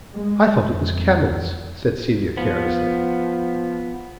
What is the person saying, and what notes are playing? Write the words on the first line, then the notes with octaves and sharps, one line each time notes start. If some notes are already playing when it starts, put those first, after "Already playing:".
"I thought it was 'camels,'" said Celia carelessly.
G#3
F2
F3 B3